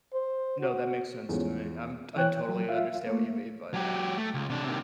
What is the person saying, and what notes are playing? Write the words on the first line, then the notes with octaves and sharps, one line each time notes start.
No, that makes sense to me. I'm I totally understand what you mean by that.
C5
F#4
E2 F3 G#3 C#4
E3 C#5 G5 F#6
F#3
F4 E5 F5
A3 A#3
F#3 G4
A3
C#2
C3 D4
C3 D#3